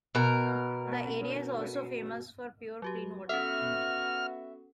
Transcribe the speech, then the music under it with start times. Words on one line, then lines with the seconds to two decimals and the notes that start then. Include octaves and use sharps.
The area is also famous for pure, clean water.
0.15 B2 A#4
2.82 F#3 F#4 G4
3.29 B3 C#4 F#4 A4 E5 F6